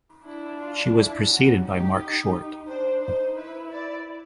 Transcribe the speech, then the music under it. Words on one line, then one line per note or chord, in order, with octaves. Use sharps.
She was preceded by Marc Short.
D4 E4
F4
E4
C#4 F#4
D#4 G4
D4 C5
D#4 C5
E4 B4
D5